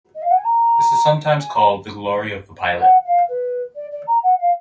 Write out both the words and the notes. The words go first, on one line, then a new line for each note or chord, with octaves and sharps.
This is sometimes called "The Glory of the Pilot".
D#5
F5
F#5
G#5
A#5
G#5
A#5
F#5
F5
B4
D5
D5
A#5
F#5
F5